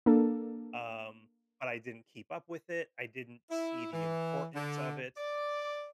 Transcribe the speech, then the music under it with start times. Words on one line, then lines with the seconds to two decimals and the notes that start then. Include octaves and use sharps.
um, but I didn't keep up with it, I didn't see the importance of it,
0.06 A#3 D4 A4
3.50 E4
3.93 E3
4.55 D3
5.17 D5